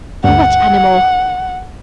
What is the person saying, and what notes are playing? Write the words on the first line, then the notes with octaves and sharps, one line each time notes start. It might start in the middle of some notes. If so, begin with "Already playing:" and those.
"What animal?"
D2 G2 F#5